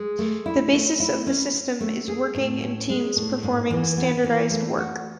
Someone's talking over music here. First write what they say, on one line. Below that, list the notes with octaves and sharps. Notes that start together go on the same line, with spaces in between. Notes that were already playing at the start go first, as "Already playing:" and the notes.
The basis of the system is working in teams performing standardized work.
Already playing: G#3
A3
E4
A3
E4
C#4
C#4
A3
G#4
A2
C#4
G#3
A2
G#2
E3
B3
E3
A3
F#4